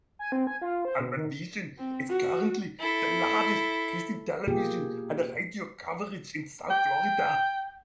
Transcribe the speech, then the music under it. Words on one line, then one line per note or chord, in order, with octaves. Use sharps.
Almavision is currently the largest Christian Television and radio coverage in South Florida.
G#5
C4
G#5
F4
C5
B2
D#3
C4
F#4
E4 A4
B2 A#3 F4 G4 G#4
G5